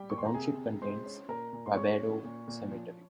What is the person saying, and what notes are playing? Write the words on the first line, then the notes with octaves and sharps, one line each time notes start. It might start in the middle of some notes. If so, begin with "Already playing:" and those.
The township contains Wabedo Cemetery.
Already playing: G3 G4 G5
A#3 C#6
C6
A#5
C3 G#4 G#5
C3
G#3 C5 C6
C#4
A#2 A#4 A#5
A#2
C6
G#3 C#5 C#6
C#4
A#2
A#2
F3